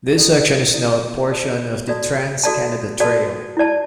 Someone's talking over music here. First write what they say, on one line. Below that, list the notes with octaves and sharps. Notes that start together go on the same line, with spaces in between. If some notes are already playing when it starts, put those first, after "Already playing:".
This section is now a portion of the Trans Canada Trail.
E4 A4 D5
E4 A4 D5
F#4 A4 D5 A5
F#4 A4 D5 A5
F#4 A4 D5 A5
F#4 A4 D5 A5
E4 D5 A5